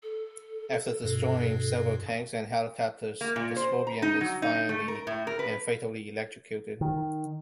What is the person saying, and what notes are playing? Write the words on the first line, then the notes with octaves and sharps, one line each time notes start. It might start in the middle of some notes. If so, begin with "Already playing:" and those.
After destroying several tanks and helicopters, the scorpion is finally and fatally electrocuted.
A4
G2 B2
A#3
A#2
C5
A#5
D#4
F#3
D#4
A3
A#4
A2
A#4
B4
D#3